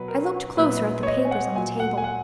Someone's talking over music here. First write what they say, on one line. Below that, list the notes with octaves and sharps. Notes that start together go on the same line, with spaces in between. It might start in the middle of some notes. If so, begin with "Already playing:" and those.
I looked closer at the papers on the table.
Already playing: B2 F#3 B4
A#4
A#2 F#3 B4
C#5
D#5
G#5
F#5
A#2 F#3 G#5
F#5
G#5
F#5